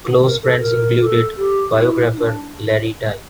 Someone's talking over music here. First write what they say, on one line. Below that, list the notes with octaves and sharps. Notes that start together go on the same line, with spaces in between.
Close friends included biographer Larry Tye.
A#4
A4
A#4
A4
G4
E4
E4
D4